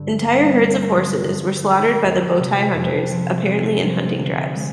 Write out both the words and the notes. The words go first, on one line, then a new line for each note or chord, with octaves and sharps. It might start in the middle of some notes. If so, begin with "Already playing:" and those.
Entire herds of horses were slaughtered by the Botai hunters, apparently in hunting drives.
Already playing: G2 D3
G3
A#3
D3
F2
G#3
F2
C3
F2
F3
C4
F3
D3
G#3